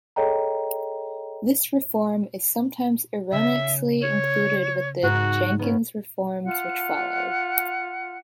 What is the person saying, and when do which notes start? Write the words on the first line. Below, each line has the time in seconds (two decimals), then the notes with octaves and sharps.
This reform is sometimes erroneously included with the Jenkins reforms which followed.
0.16 G#4 A4 C#5 D#5 G5 A#5
3.32 C#3 E5
4.01 C#5
5.03 G#2 F#4
5.59 B3 C#4
6.44 F4 F#5